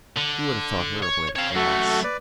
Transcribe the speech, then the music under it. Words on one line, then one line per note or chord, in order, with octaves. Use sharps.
You would have thought her a blade of grass.
D3
C#5
C4 C#5 F5 A5
F#2 A3 F#4 A4
B4 D5